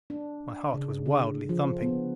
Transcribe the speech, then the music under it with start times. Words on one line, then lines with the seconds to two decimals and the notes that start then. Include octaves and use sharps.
My heart was wildly thumping.
0.10 D4
0.74 C#3
1.06 D3
1.49 F3
1.82 B3